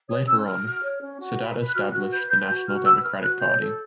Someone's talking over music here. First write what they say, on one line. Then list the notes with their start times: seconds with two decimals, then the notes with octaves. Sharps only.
Later on Sadat established the National Democratic party.
0.09 C#5 D#6
0.27 C#4 E6
0.45 A#4 F6
0.63 F#4
0.82 C#5
1.01 C#4
1.20 F#4
1.37 B4
1.56 B4
1.68 F#6
1.74 F#4 F6
1.93 F#4 F#6
2.11 B4 G6
2.30 B4 G6
2.48 F#4 G6
2.67 F#4 F6
2.85 B4 E6
3.04 B4 F6
3.22 F#4 F#6
3.40 C#5 G6
3.59 A4